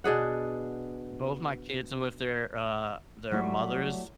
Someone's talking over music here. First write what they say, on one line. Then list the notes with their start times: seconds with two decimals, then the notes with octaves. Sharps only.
Both my kids are with their, uh, their mothers,
0.04 B2 D4 G#4 F#5
3.31 F#3 G3 A3 E4